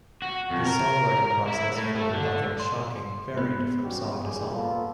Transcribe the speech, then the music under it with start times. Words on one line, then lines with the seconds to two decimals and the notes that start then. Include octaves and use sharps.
The songwriting process for "Nothing's Shocking" varied from song to song.
0.22 F#4
0.50 F2
0.65 A#4
1.47 E4
1.76 A2
1.95 A3
2.14 D3
2.60 C6
3.37 B3
3.82 E3 G3 B3 C#4 F#4 G4
4.13 B1 G4 G#4
4.52 A#3 B3 F4 A4